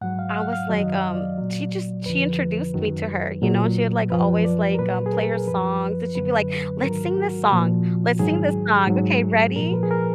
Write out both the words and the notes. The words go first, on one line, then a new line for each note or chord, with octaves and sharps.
I was like, um she just she introduced me to her, you know? And she had, like, always, like, um, play her songs, and she'd be like, "Let's sing this song. Let's sing this song. Okay, ready?"
G#2 F#3 F#5
F5
F5
F#5
F5
F#2 D#3 F#3 D#5
F5
D5
A#2 F#3
F2 D3 F3 B4
F#2 D#3 F#3
A#2 F#3
F#2 F3 B4
D5
A#4
A#2 F#3 B4
G#4
A#4
F#2 F3 B4
F#2 D3 F#3 B4
G#2 D#3 F#3 A#4
F#4
A#2 F3
G#2 D#3 F#3 G#4
G#2 F#3
A#2 F3 A#4
B4
G#4
A#4